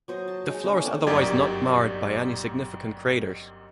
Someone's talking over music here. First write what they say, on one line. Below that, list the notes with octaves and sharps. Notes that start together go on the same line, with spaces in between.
The floor is otherwise not marred by any significant craters.
F#3 C5 D#5
A5
G#3 D#4
C#3 C#4 D4
A3 A#3 C4 A5
G1 F#2 D#4 G4 D5 G#6